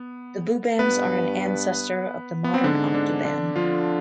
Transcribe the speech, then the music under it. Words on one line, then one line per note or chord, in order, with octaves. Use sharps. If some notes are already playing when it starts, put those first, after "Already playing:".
The boobams are an ancestor of the modern octoban.
Already playing: B3
G2 B3 B4
B3
C4
G#2 D3 D4
D3 D4
D3 D4
D3 F3 F4